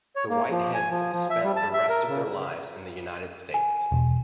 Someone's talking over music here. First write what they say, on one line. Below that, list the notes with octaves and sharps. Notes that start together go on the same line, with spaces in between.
The Whiteheads spent the rest of their lives in the United States.
C#5
A#3
F3
G#5
F3
F3
E5
G3
A5
E5
A#4
C#3
G#5
E1